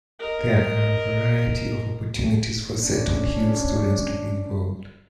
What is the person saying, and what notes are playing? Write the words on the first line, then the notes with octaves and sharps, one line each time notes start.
There are a variety of opportunities for Seton Hill students to be involved.
A#4 D#5
C#4 D4